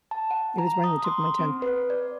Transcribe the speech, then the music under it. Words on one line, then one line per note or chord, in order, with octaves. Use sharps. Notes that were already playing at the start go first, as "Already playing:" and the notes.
it was right on the tip of my tongue.
A5
F#5
A#5
D#6
C6
C4
B4
D5